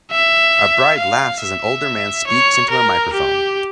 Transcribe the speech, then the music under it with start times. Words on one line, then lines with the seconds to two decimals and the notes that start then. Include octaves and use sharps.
A bride laughs as an older man speaks into a microphone.
0.11 E5
0.98 F5
1.41 E5
2.27 C#5
2.70 A#4
3.13 G4